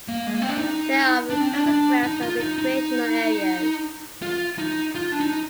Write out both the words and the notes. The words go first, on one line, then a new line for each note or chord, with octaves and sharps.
There are of common grounds and recreational areas.
A#3
G#3
A#3
C4
D4
D#4
D4
C4
D4
D4
D#4
F4
D#4
D#4
F4
D#4
F4
D4
D#4